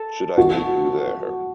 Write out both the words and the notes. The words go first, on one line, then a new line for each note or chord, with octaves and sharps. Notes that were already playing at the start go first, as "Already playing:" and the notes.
Should I meet you there?
Already playing: A4
F#4